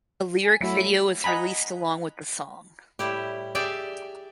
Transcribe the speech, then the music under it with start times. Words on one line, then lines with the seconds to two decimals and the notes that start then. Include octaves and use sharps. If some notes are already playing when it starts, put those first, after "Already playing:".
A lyric video was released along with the song.
0.43 G#5
0.61 F#3 A3 E4 F#4
1.24 D#5 F#5 G#5 A#5 B5
2.99 A2 G3 E4 G4
3.55 G4 G#4 D5 E5 G5